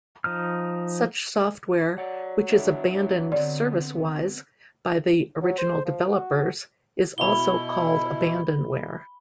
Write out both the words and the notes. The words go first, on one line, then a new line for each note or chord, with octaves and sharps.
Such software which is abandoned service-wise by the original developers is also called abandonware.
F3 D#4 F6
F#3 D5 F#5
B3 D4 E4
D3 B3 C4 D5
F#3
C5
F3
F#4
B2 E4 B5 G7